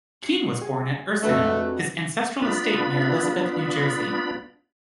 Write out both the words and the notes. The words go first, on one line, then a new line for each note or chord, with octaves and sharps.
Kean was born at "Ursino", his ancestral estate near Elizabeth, New Jersey.
C7 C#7
G#4
F2 A3 D4 F#4 B4 F#6
B3 D4 F4 B5